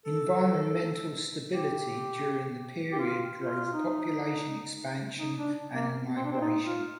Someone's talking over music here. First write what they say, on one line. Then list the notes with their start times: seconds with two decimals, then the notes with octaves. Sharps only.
Environmental stability during the period drove population expansion and migration.
0.06 A4
1.52 G4
2.93 G4
2.99 F4
3.36 F4
3.64 F4
3.73 D#4
5.19 D#4
5.38 D4
5.74 A#3
6.16 C4
6.24 D4
6.31 C4
6.41 D#4
6.66 F4